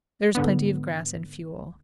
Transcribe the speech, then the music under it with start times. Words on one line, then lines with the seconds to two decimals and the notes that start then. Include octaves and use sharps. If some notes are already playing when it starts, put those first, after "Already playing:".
There is plenty of grass and fuel.
0.35 G#2 D3 B3